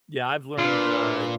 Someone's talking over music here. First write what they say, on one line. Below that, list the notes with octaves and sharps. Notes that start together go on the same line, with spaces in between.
Yeah, I've learned, uh,
A#2 D4 F4 B4